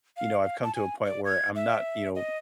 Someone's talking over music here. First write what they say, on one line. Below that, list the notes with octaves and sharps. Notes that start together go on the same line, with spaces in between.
you know, I've come to a point where I'm not, you know
F5
F5
A5
G#5
D5
G#6
E5
D#5